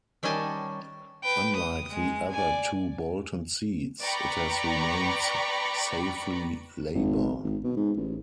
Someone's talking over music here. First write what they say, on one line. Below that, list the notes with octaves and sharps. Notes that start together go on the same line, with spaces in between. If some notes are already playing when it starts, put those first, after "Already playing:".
Unlike the other two Bolton seats, it has remained safely Labour.
D#3 G3 C#4 D#5 G#5 A5
B4 G5
D#6
G#3
D5 G#5
B4 D5 G5 A#5 B5 C#6
G#1
G#1
B2
G#2
A1